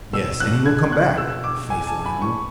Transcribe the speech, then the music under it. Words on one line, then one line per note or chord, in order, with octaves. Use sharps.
"Yes, and he will come back, the faithful animal!"
B2 E6
F#6
G#6
F#6
B2 E6
D6
G#5
A5
B5
A2 E3 C#6